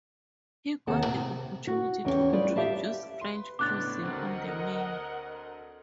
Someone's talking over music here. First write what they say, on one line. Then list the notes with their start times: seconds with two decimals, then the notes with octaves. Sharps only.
He got the opportunity to introduce French cuisine on the menu.
0.87 D#2 C3 G#4 F#5 A5
1.07 C3
1.67 F#4
2.05 E2 C#4 G#4 G5
2.32 G3 F4 G#4 B4 D5
2.56 G4 E5 F5 A5
3.21 B4 C6
3.59 C#2 A2 B3 D4 D6 F#6 A6
4.03 D2 C4 A#4 D#5 F#5